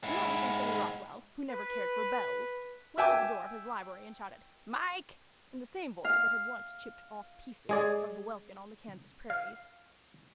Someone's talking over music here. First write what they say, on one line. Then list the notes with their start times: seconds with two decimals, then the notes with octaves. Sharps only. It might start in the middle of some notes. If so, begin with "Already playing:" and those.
And then Anthony Rockwall, who never cared for bells, went to the door of his library and shouted "Mike!" in the same voice that had once chipped off pieces of the welkin on the Kansas prairies.
0.03 G#2 E4
1.50 B4
2.98 E5 G5 G#5 D6
6.04 F5
7.69 G#3 G#4 D5
9.30 F5